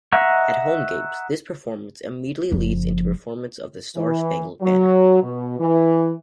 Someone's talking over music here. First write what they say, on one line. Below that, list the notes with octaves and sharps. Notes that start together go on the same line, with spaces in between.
At home games, this performance immediately leads into performance of The Star-Spangled Banner.
D#5 E5 F#5 A#5 C#6
F#1 F3
E3
F#3
B2
E3